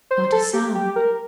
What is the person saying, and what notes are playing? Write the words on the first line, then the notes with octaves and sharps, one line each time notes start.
Not a sound.
C5
A4
G4
G4
A#4